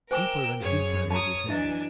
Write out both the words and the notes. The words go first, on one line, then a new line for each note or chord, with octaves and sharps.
Deeper and deeper they descended.
A#4 C5 G5 G#5 D6 E6
F#2 G#4 C#5
C#5 A5 A#5 D#6
E3 F#3 D4 E4 D#5 G#5